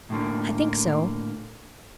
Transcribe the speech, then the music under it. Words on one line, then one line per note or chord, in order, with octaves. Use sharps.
"I think so."
A2 D3 A#3